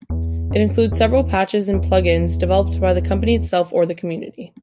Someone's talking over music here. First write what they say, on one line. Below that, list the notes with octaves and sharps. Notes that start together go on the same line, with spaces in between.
It includes several patches and plugins developed by the company itself or the community.
E2
F#2
E2
E2